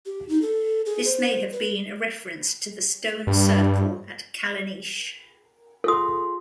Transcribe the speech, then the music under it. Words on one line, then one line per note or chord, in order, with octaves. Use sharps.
This may have been a reference to the stone circle at Callanish.
G4
D#4
A4
G#4
C5
B4
G2
F4 G#4 A4 C6 D#6